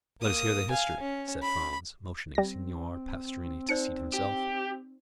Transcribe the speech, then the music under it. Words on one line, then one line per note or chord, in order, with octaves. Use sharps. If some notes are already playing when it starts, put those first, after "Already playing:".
"Let us hear the history," said Franz, motioning Signor Pastrini to seat himself.
A#3 D#6
F5 G#5
C#4
B5
G3 C4 A#6
D#4 C5 D5 C#7
G4